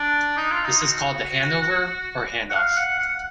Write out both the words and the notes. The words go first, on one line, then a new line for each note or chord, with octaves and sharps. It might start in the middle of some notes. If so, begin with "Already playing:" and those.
This is called the handover or handoff.
Already playing: D4
D#4
F4
D#4
F#4
F#5
F5
F#5
F#5